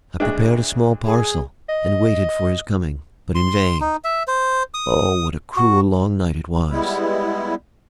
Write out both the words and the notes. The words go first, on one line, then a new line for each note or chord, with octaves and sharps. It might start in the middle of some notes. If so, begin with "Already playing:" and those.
I prepared a small parcel, and waited for his coming, but in vain. Oh! what a cruel long night it was!
D2 G#3 D4
G#4
D#5
C6
D#4
E5
C5
D#6
F#4
G3 G#3 B3 E4